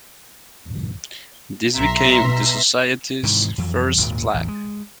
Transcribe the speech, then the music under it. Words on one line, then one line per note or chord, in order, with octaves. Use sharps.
This became the society's first flag.
B1 E5 A#5 C6
B2
G#2 C3 D#3 E3
F2 E3 F#3
G#1 D#2 A#2
A1 E2
G#3